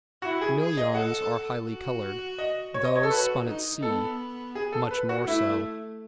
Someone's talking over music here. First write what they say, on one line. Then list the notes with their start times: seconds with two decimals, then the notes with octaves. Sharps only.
Mill yarns are highly colored; those spun at sea much more so.
0.22 E4 F#4
0.41 G#4
0.59 G#4
0.77 D#5
0.94 A4 F#5
1.67 F#4
2.38 D#5
2.74 C#5
2.84 D#5
2.96 C#5
3.03 A4
3.11 F#4 B4
3.47 D#4
3.82 B3 A4
4.55 G#4
4.73 A4
4.91 B4
5.09 F#4
5.27 A3 E4